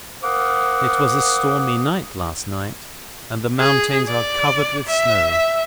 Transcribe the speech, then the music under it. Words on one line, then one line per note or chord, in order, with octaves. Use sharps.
It was a stormy night last night, and the mountains are covered with snow.
A#4 C5 F5 F#5 D6 D#6
G#4
D5
E5
E5